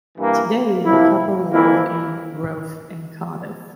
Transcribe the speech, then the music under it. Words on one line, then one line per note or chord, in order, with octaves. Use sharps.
Today, the couple live in Roath in Cardiff.
G2 E3 A#3
C3 F3 A#3 E4
F2 E3 A#3 E4